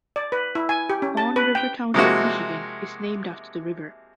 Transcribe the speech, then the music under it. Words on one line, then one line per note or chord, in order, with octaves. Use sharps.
Fawn River Township, Michigan is named after the river.
D5
B4
E4
G#5
G4
C#4
A5
B4
G5
C3 F3 G#3 A#3 E4 F#4